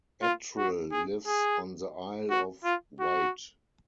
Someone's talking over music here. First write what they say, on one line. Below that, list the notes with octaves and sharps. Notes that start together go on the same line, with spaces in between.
Attrill lives on the Isle of Wight.
F4
F#4
G#4
G#4
F#4
F4
F#4